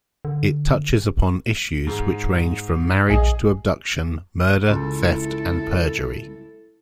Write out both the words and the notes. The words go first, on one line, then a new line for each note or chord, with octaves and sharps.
It touches upon issues which range from marriage to abduction, murder, theft, and perjury.
D3
G#2
A#1 G#4 D#5
C#2 E4 A4